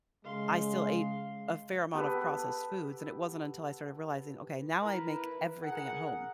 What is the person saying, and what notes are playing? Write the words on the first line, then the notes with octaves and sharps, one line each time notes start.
I still ate a fair amount of processed foods, and it wasn't until I started realizing, "Okay, now I make everything at home."
C#3 G#3 F5 C6
B3 G4 A4 B4
E4 A#4 B4
G#4 A#4 F#5